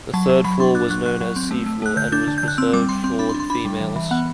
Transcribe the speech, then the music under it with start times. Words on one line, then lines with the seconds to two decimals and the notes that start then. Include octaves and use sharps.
The third floor was known as "C" floor and was reserved for the females.
0.14 F#3 A5
0.29 F#3
0.45 F#3 B5
0.60 D4 C6
0.75 D4 F#6
0.90 F#3 F#6
1.06 F#3 F#6
1.21 F#3
1.36 C4
1.51 A3
1.66 A3
1.82 A3 F#6
1.97 D3 G6
2.12 D4 G6
2.27 D3
2.38 G6
2.43 D3 F#6
2.58 C4 E6
2.73 G3 D6
2.89 G3 C6
3.04 C4 C6
3.19 D4 B5
3.29 C6
3.35 D4
3.40 C6
3.50 D4 B5
3.65 G3
3.81 E3
3.96 E3
4.11 B3 F#5